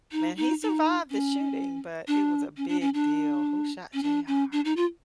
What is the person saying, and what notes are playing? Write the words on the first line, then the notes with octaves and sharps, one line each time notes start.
Man, he survived the shooting, but it was a big deal. "Who shot J.R.?"
D#4
D#4
D#4
C#4
D4
C#4
D4
C#4
D4
C#4
D4
C#4
D4
D#4
F4